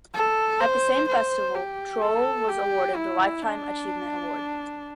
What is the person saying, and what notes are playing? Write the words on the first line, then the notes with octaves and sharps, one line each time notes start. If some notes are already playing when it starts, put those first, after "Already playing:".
At the same festival Troell was awarded the Lifetime Achievement Award.
A4
C5
C5
G4
A4
G4
E4
D4